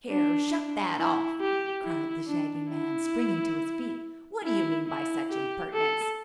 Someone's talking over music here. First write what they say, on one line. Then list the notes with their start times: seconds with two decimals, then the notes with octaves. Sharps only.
"Here--shut that off!" cried the Shaggy Man, springing to his feet. "What do you mean by such impertinence?"
0.10 D4
0.98 E4
1.41 G4
1.83 E4
2.28 D4
2.70 E4
4.43 E4
4.87 E4
5.30 G4
5.73 A4